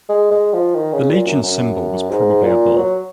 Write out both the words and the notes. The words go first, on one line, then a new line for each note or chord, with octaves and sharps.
The legion's symbol was probably a bull.
G#3
G#3
F3
D#3
C#3
A#2
F#2
F#2
G#2
A#2
F#3